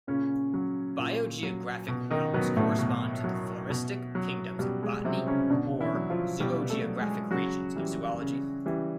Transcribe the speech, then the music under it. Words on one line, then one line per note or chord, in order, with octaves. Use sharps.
Biogeographic realms correspond to the floristic kingdoms of botany or zoogeographic regions of zoology.
A#2 C#3 C#4
F#3
A#2
F#3
B2
D#3 D#4
B2 F#3 B3
A2 A3
B2
F#3
B2
F#3
B2 G3
G#3
C3 F#3 C4
C#3 C#4
B2 D3 D4
E3 E4
F#3
F3 F4
B2 G3 G4
A3 A4
F#3
G#3 G#4
C#3 F#3 F#4
E3 G3
C#3
E3 G3